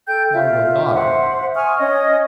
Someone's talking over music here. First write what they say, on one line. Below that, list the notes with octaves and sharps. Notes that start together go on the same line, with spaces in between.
Longbill nodded.
A4 G5 G6
F4 E5
C5 E5 F#5
G#5 C#6 D#6 F6
C#4 C#5 D#5